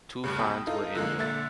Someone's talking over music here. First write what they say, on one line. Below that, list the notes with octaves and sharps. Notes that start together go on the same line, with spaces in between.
Two fans were injured.
D2 G2 C#3
B2 G5
D#4 F4 A4
D3 F3 G#3 A#3
A#2 D3 E5 A6